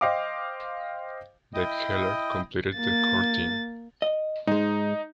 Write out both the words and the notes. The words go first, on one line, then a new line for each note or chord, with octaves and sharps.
Dave Heller completed the core team.
C5 D#5 F5 G5 D6
E4 D#5 G5 D#6
A#3 A6
D#5
G#2 G#3 D#4